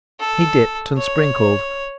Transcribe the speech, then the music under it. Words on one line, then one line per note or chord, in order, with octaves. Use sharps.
He dipped and sprinkled.
A4
C#5